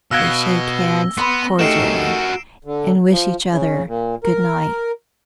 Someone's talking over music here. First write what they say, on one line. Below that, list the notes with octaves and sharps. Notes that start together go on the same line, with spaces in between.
We shake hands cordially, and wish each other good-night.
B2 F5 E6 F#6 G#6 A#6 G7
B3 B5 C6
A3 D#4 F#4 G4 A#4 C7 D7 E7
D3
F3
C#3
A#2
A#4